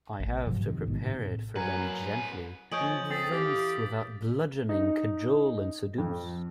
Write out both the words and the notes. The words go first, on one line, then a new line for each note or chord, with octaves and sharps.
I have to prepare it for them gently, convince without bludgeoning, cajole and seduce.
A1
G#2 C3 F3 F#3
G#2 C3 D#3
A#1 G#2 B2 D#3
A2 C3 D#3
C2 F#3 A#4 B4 G#5
F3 C#5 D#5 G#5 G6 D7 F#7
C4 G#4 A4 D#6 A6 B6
E3 G4 F5
D#4
F2